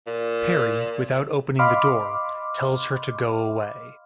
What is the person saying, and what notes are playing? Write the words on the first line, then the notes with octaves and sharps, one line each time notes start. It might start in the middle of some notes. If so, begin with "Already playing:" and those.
Parry, without opening the door, tells her to go away.
A#2
D#5 F5 B5 C6 D6 F6